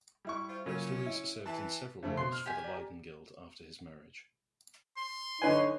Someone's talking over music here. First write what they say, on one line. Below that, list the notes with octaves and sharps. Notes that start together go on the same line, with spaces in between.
Sluys served in several roles for the Leiden guild after his marriage.
G3 E4 C#6
F4 C5
A#2 C#3 F#3 C#4
E4
E3 A5
F2 C#3 A3
B2 C6
F6
G4 G#5 B6
D5 A#5
C6
D3 D#4 B4 C#5 G#5